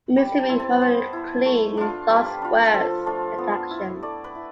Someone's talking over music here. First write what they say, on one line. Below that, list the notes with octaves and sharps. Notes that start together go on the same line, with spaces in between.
It means to be morally clean in thoughts, words, and actions.
G3 B5
A5
C4 E4
A5
B3 C5
E4
A3
D4 F4
G3 B4
D4 F4
F3 A4
A3 D4 F4
B3
E4
A3 D5
B4
E4